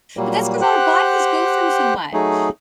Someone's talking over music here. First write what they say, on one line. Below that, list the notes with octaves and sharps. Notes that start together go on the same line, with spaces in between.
but that's 'cause our bodies go through so much.
A#2 F#3 G3 A#3
G4 C5 F#5 G5 F#6
F#3 A3 D#4 G#4